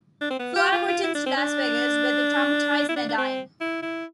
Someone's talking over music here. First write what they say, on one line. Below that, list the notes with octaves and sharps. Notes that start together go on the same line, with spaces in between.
Flagg returns to Las Vegas with a traumatized Nadine.
D4
C4
B3
G4
F4
F4
E4
D4
C4
D4
E4
D4
D4
C4
E4
E4